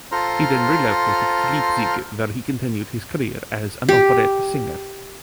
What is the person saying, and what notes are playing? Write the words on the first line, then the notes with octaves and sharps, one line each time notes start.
He then relocated to Leipzig where he continued his career as an operetta singer.
F4 A4 C5 A#5 C6 F6
G4